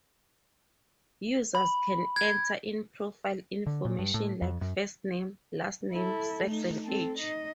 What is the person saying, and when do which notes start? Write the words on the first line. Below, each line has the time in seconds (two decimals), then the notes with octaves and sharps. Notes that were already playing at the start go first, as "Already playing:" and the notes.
Users can enter in profile information like first name, last name, sex, and age.
1.55 B5
2.16 G#6
3.67 D3
3.85 A#2
3.99 G2
4.14 A2
4.42 F2
4.61 F#2
5.92 E4 A4
6.44 A3 D#4
6.85 C4 A4
7.18 D#4 D#5